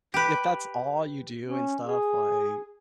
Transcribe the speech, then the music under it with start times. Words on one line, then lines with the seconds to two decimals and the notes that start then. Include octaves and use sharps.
if that's all you do and stuff, like,
0.14 G4 B4
1.44 C#4
1.86 G#4